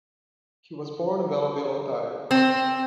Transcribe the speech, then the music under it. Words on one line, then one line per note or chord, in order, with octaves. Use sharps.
He was born in Belleville, Ontario.
C4